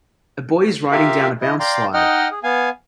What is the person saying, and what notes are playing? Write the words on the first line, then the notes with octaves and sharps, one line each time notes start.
A boy is riding down a bounce slide.
F4 G4 A#4 E5 F5
E4 D#5
D5 F5 G5 A#5 C6
D#4 D#5 F#5 G5 F6
G#4
B3 F5 G#5